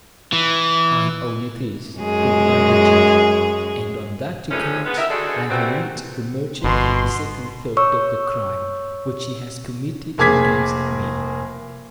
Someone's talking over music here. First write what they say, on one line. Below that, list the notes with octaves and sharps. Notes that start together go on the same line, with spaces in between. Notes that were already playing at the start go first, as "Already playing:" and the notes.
"I own it is," replied the genie, "and on that account I remit the merchant the second third of the crime which he has committed against me."
E3
F#2 G#3 G#4
C3 E3 F3 G#3 A3 C#4
G#3 B3
G4 A#4 D#5 E5
D2 G#3 D4 F#4 G#4 A4
A#2 E3 G3 A3 C4 F#4
G1 B2 C6
C#5 C#6 E6
F1 A#3 G#4 D6 G#6 B6